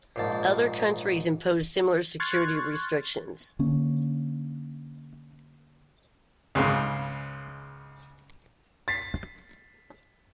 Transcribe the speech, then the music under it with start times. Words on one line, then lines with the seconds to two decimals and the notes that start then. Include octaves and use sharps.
Other countries imposed similar security restrictions.
0.16 A#1 G#2 A5
2.20 C6 C#6 F6 F#6 G#6 A6
3.59 D3 A#3 C#4
6.55 C#2 G#2 C#3
8.88 A6 B6 C7